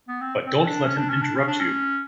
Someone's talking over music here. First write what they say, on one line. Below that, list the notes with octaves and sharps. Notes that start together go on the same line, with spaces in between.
But don't let him interrupt you.
B3
C4
C4
D4
C#4
D4
C#4
D4
C#4
D4
C#4